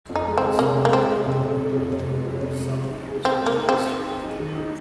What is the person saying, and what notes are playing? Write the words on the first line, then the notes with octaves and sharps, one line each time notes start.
It is home to the grander colonial buildings, some of which have been restored.
F2
D#4
G#3
C4
G#3
C3 A#3
G#3
A#3
G#3 C4
G#3
C3
C3
C3
F2
C3
G#3
F2
C3
G#3
G#4
D#4
G#4
C4 G#4
G#3
A#3
D#4
C4
D#4
G#4
G#4
D#4
D#3
D#4